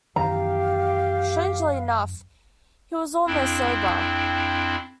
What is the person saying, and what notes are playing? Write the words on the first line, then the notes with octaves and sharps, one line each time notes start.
Strangely enough, he was almost sober.
F#2 D#3 E3 G4 F5 A#5
F2 C4 D4 E4